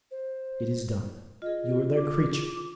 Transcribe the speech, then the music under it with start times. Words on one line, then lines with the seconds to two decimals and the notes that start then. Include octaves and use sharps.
It is done--you are their creature.
0.11 C5
1.42 F4 G#4 D#5
1.97 D6